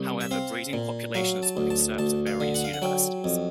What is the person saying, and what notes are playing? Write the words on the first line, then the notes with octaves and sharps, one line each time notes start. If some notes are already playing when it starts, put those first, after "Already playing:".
However, breeding populations were conserved at various Universities.
Already playing: C2
E5
C4 F5
A#2
F#3 F5
A5
D2
A5
D2 A5
F5
D3
F#5
F5
F#5
F#3 G5
F2